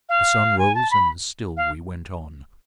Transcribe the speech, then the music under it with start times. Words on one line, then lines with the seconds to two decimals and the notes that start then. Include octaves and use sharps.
The sun rose and still we went on.
0.09 F5
0.58 G#5
0.75 A5
0.91 B5
1.56 F5